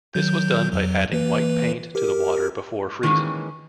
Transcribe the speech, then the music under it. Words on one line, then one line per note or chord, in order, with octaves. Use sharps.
This was done by adding white paint to the water before freezing.
D#3 F#3 G6
F2 F#3
E3 A#3 B4
G4 A#4
D#3 E3 G#3 A#3 C#4